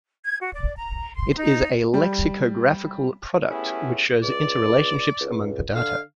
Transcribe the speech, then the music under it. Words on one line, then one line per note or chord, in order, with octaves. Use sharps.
It is a lexicographical product which shows inter-relationships among the data.
G#6
F#4
D5
A#5
C6
D#4
G3
A3 B3 C#4 E4 G4 G#4
C#2 D5
C#2
D3 F5